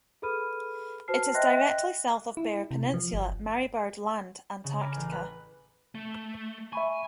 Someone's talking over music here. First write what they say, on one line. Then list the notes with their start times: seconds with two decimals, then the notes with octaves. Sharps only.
It is directly south of Bear Peninsula, Marie Byrd Land, Antarctica.
0.22 G#4 A4 B4 B5 F6 D#7
1.08 F#4 B4 C5 A5 F6 C7
1.34 D#5 E5 G5 C6 F#6 A#6
2.37 E4
2.71 C3
2.94 F3
3.13 G1
4.64 C#3
4.80 G#5 A#5 B5 D6 F6
4.96 A1
5.11 B4
5.95 A3
6.73 E5 G#5 B5 C#6